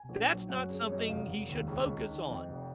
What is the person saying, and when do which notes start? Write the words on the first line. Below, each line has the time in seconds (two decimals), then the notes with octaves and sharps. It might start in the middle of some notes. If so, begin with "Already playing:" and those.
That's not something he should focus on.
Already playing: G#5
0.09 A#1
0.29 F#3
0.49 F#2 F#5
0.70 C#3
0.87 F#2 C#5
0.98 D#5
1.08 F1 F5
1.29 F1
1.49 D#2
1.68 C#2
1.88 C#2
2.09 D#3
2.28 F2 D#5
2.48 F1